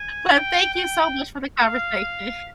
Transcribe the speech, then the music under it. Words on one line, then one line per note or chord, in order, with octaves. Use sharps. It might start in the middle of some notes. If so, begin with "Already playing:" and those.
Well, thank you so much for the conversation.
Already playing: G#5
G5
G5
F5